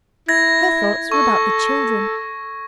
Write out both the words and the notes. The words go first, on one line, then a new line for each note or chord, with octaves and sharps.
Her thoughts were about the children.
E4 G#6 A#6
A4 C#6